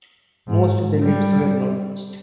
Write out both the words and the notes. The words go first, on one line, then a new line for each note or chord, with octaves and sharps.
Most of the lips were notched.
G#2
G3